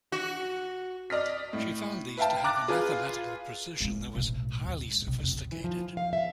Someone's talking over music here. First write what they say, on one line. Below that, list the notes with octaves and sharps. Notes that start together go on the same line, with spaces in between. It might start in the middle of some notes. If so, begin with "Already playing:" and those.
She found these to have a mathematical precision that was highly sophisticated.
F#4
D5 D#5 F6 B6
A2
B4 E5 F5 G5 A5
A#5 D6 F#6 A6
F4 G#4 B4 F5
G#3 A#3
B1 A2
D#2
G#2
B1
F1 F2
E3
F3
F5
E5